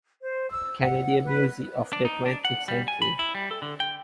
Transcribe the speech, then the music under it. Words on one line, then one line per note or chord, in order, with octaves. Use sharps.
Canadian Music of the Twentieth Century.
C5
E6
F#5
B4
D4
D#4
D4
F#5
G3
G#5
B5
E4
G3
A4
D3
G5